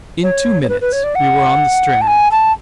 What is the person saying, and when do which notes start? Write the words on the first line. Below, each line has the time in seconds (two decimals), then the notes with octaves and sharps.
In two minutes we were on the strand.
0.23 C#5
0.63 C#5
0.69 B4
0.81 B4
0.92 C#5
1.04 D5
1.15 F#5
2.01 A5
2.08 G#5
2.31 A5